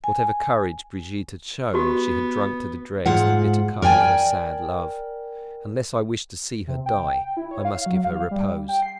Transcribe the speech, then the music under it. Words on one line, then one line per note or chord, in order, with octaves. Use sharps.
Whatever courage Brigitte had shown, she had drunk to the dregs the bitter cup of her sad love: unless I wished to see her die, I must give her repose.
G#5
B3 F#4 G4
G#2 F4 F#5
A#4 D5 G5 G#5
C3
G5
E4
C#5
F5
F#3
F5
G3
G5
C7